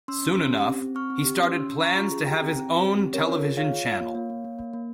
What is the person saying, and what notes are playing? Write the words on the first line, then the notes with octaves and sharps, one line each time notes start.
Soon enough, he started plans to have his own television channel.
C#4 C6 E6
C#4
C#4
G4
C4
C4
C4 C#6 F6
C4
G4
C#4 C6 E6
C#4
C#4
C#4 A#5 C#6
F4
G#4
G4 G5 A#5
C4
C4
C4
G4
C4
C#4 A#4 C#5
F4
G#4
F4 C#5 F5
F4
F4
A#3
A#3
A#3
A#3
A#3
A#3